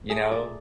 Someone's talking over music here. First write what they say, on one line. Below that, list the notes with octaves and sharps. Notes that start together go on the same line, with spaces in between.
You know,
A3 G#4
A#2 D5